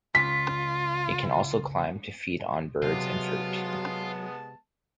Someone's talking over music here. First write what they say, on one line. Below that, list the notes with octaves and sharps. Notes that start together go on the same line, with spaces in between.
It can also climb to feed on birds and fruit.
C#2 F4 B6
C3 F#3 G#3 B3 F4 A5